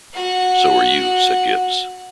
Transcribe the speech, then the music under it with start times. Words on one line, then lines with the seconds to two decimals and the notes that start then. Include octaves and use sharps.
"So are you," said Gibbs.
0.14 F#4 F#5